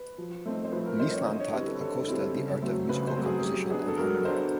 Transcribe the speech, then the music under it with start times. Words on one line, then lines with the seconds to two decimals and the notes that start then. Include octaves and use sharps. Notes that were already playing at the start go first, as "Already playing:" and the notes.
Mislan taught Acosta the art of musical composition and harmony.
Already playing: B4
0.18 F3
0.46 A3 C4 D#4
0.65 C5
0.72 F3 B4
0.86 A#4
1.00 A3 C4 D#4 C5
1.13 C#5
1.27 D3 D#5
1.40 C#5
1.54 G3 C4 E4 B4
1.67 A4
1.80 D3 A4
2.08 G3 C4 E4
2.35 C#3
2.62 F#3 A3 C4
2.89 C#3 B4
3.07 C5
3.16 F#3 A3 C4
3.26 G#4
3.43 F#3 G4
3.70 B3 D4 G#4
3.88 A4
3.97 F#3 A#4
4.25 B3 D4 C5